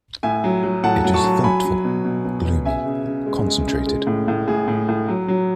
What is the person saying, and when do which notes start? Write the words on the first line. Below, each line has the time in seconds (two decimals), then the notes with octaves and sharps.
It is thoughtful, gloomy, concentrated.
0.23 A2 E5 G#5
0.44 F#3
0.63 F#3
0.84 A2 F#5 A5
1.04 F#3
1.14 A5 C#6
1.24 F#3
1.44 F#3 G#5 B5
1.65 F#3
1.85 B2
2.05 B2
2.25 B2
2.45 B2
2.65 C#3 E5 G#5
2.86 C#3
3.06 C#3
3.26 G#3
3.47 G#3
3.67 C#3
3.87 G#3
4.07 A2
4.28 A2
4.48 A2 G#4
4.68 A2
4.89 A2
5.08 F#3
5.28 F#3